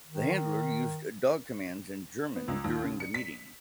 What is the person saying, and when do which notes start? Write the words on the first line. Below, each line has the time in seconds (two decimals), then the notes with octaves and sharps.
The handler used dog commands in German during the meeting.
0.07 D#3
2.36 B3
2.48 C#2
2.64 D#2
2.83 C#3
3.00 C#7
3.14 B6